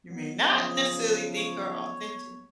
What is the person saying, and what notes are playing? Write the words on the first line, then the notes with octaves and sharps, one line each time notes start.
you may not necessarily think are authentic.
F#3 A#3 B3
C#3 F3 G#4
C#5